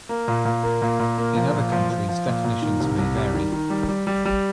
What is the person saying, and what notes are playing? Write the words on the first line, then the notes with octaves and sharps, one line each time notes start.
In other countries definitions may vary.
A#3
A#2
A#2
A#3
A#2
A#2
A#3
F3
A#2
F3
F3
F3
A#2
A#2
D#3
C2
C2
G3
D#3
D#3
G3
G3
G3
G3